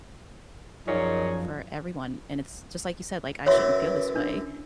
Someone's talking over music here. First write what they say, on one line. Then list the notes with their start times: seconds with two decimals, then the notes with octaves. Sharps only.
for everyone, and it's just like you said, like, I shouldn't feel this way,
0.88 F#2 A#2 F3 D#4 G#4 C#5
3.46 F#2 E3 C#5 E5 C6
4.15 D4